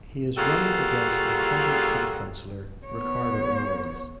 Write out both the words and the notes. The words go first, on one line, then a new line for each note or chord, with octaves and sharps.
He is running against incumbent city councilor Ricardo Amores.
G3 A#3 F4 F#4 G#4 A4
B3 C#5